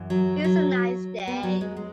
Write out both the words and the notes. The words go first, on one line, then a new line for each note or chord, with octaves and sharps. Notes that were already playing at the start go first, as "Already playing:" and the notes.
It’s a nice day.
Already playing: F#2 E3
F#3
F#3
B3
F#3
G#3
G#3